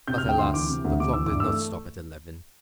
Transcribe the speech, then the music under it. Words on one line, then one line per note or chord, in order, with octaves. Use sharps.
But alas! the clock did not stop at eleven.
C3 G6
F6
D2
G5
D2 C6
E3 D6
C3
D2
D2 D6
E3 E6
G2 D6
E6
A3